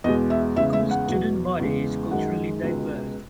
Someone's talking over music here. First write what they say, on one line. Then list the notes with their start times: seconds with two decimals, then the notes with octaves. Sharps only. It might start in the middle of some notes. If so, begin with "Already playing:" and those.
The school's student body is culturally diverse.
0.04 E2 B2 G#3 D#5
0.30 E5
0.56 E2 C#3 G#3 E5
0.73 E5
0.91 F#5
1.08 E2 B2 F#3
1.59 E2 C#3 G#3
2.11 F#2 D#3 G#3 F#5
2.63 C#2 B2 G#3